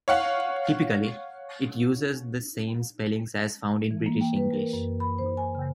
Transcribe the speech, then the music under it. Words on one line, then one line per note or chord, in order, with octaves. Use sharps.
Typically, it uses the same spellings as found in British English.
C#5 F5 F#5
E3
A#3
G5
B4
A#4
F#2
B5
C5
G#5
C#3